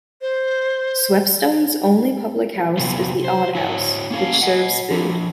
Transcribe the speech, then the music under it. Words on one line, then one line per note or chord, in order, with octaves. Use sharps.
Swepstone's only public house is The Odd House, which serves food.
C5
C3 F#3 B3 F4
C5
E4 F#4 C#5
A#3 C#4 G#4 F5
D#5 F#5
F3 D4